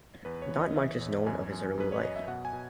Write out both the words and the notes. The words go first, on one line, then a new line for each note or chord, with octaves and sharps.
Not much is known of his early life.
E2 B4
C#5
E3
D#5
E3 E5
E2
F#2 G#5
F#2
F#2 B4
C#5
F#2 D#5
E5
B2 F#5
G#5
B2